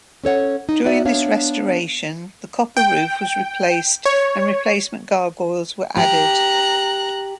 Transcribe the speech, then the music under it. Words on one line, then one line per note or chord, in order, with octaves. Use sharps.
During this restoration, the copper roof was replaced and replacement gargoyles were added.
C#4 A4 C#5 F#5
D#4
D#4 F#4 D5 E5
B3 D4 C#5 F5
G5
C#5
G4 A#5 F#6